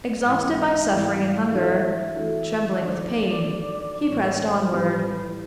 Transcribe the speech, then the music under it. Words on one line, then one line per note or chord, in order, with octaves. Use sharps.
Exhausted by suffering and hunger, trembling with pain, he pressed onward.
G#2 E3 G#3 E5
G#2 E3 G#3 F5
E3 A3 D4 F#4 A4 E5
E3 A3 D4 F#4 A4
D#3 F#3 A3 D4 D5
D#3 F#3 A3 D4
A2 E3 G3 C#5
C5
A2 E3 G3 B4